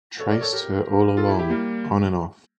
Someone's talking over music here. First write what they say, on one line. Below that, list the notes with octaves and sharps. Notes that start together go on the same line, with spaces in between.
Traced her all along, on and off.
A4 C#5
A#4 D5
A4 C#5
G4 A#4
F4 A4
E4 G4
E4 G4
G3 A#3